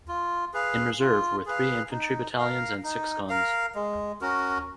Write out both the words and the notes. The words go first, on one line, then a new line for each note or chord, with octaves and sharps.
In reserve were three infantry battalions and six guns.
F4
G#4 B4 F5
F4
G#4 B4 F5
D#4
A#4 F5
D#4
A#4 F5
G#3
C#4 F#4 A#4